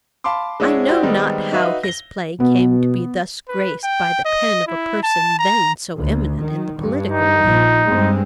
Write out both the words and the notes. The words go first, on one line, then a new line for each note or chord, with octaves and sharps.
I know not how his play came to be thus graced by the pen of a person then so eminent in the political world.
F5 A5 B5 C6 D6
G#3 D4 E4 G#4 C#5 F#5
F#4 G4 C5 D5
D#3 G3 G#3 B3 C4 D#4
D#4 F#4 B4 E5 F5
A#6 G7
B2 B3
B4
G5
D#5
E4
A5
A#5
D2
D#3
G2
D#4
A#1 F3
G2 G#3 C4